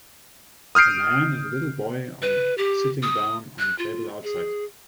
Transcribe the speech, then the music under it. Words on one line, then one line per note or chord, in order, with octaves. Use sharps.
A man and a little boy on sitting down on a table outside.
D#6 F6 G6 C7 D7
B4
G4
D#6
F#6
F4
G#4